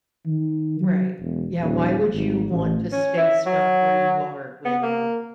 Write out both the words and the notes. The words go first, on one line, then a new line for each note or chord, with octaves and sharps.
Right. Yeah, why would you want to stay stuck where you are when
D#3
F#3
E1
D#1
G#1
A1
C#4
E4
F#3
B3
A#3